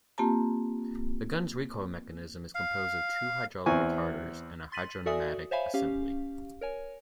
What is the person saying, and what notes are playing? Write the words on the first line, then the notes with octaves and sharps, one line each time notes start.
The gun's recoil mechanism is composed of two hydraulic retarders and a hydropneumatic assembly.
A#3 C4 F4 G4 A5 A#5
F5
E2 C4 G#5 C#6
C6 A6 B6 D#7 F#7
F#4 A4 D5 E5 G#5 D#6
C5 C#5 E5 F5 G#5 B5
C#4 G4 F5
A#4 C#5 G#5